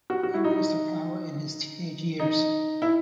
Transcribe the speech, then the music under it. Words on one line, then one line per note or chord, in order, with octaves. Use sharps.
He rose to power in his teenage years.
F#4
F#4
E4
D#4
D#4
E4